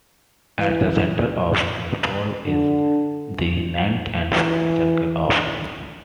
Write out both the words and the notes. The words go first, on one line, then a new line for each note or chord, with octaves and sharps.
At the center of Malebolge is the ninth and final circle of hell.
E3
D3
E3